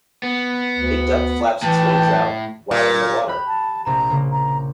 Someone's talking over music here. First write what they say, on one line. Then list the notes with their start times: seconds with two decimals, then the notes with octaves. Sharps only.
A duck flaps its wings out while in the water.
0.23 B3
0.78 D2
1.63 A2 E3 G5 A5
2.71 A#2
3.28 G4 B5 F#6
3.47 A5
3.85 A#1 C3 A#5 E7
4.10 C#3 A#3
4.32 A#5